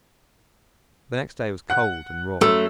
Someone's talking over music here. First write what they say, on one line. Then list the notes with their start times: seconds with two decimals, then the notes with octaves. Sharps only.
The next day was cold and raw.
1.70 F#5 F#6
2.41 F#2 A3 E6